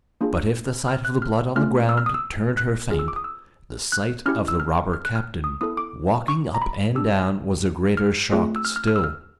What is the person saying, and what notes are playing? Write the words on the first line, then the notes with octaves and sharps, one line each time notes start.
But if the sight of the blood on the ground turned her faint, the sight of the robber captain walking up and down was a greater shock still.
A#3 D4 F4 G#4
F6
F#6
F6
A3 C#4 F4 F6
E6
F6
D#6
E6
F#6
C4 F4 G#4 F6
E6
D6
D#6
E6
F#6
C#4 E4 G4 F6
E6
F6
F6
F#6
F6
D#6
B3 E4 A4 D#6
D6
C#6
A#5
B5
D4 G4 E6
F6
A3 C4 F4 G#4
E6
F6
F6
F6
E6
F6